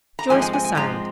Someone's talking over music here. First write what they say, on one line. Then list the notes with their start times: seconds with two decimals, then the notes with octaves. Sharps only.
Joyce was silent.
0.19 A#5
0.30 G#2 F3 G#3 C4 G#5
0.42 G#5
0.53 G#5
0.64 G#5
0.76 G#2 F3 G#3 C4 A#5